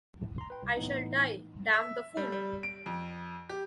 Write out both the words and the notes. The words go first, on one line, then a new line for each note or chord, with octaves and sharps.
I shall die! Damn the fool!
A2
A#5 C6
B4 G5
C2
A2 E3 B3 D#4
E5
G3
G3
D7
F2
G4